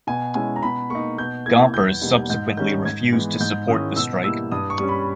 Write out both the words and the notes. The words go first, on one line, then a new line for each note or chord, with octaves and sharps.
Gompers subsequently refused to support the strike.
B2 G#5
G#3 C#4 E4 G#5
A#5
B2 B5
A#3 D#4 C#6
B2 G6
A#3 E4 G#6
E2 G6
B2 G3 A#3 D#4
G#2 G6
D#3 G3 C#4 G6
G#2 G#6
E3 G#3 B3
G#2 G6
D#3 G#3 C#4 E4 D#6
B2 E6
G3 A#3 E4 E6
G2 D#6
C#6
G3 C#4
B5